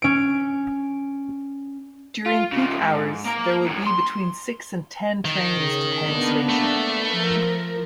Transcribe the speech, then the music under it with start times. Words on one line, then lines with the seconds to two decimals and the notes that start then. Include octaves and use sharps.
During peak hours there will be between six and ten trains to Penn Station.
0.02 C#4 D7
2.26 F4
2.52 C#3 F3
2.81 G#2
3.26 A#3 A#4
3.66 F#2 A2
3.87 C6
5.25 D#3
5.56 C#3
6.07 A#3 B3 D4
6.49 A3
7.08 F3 A#4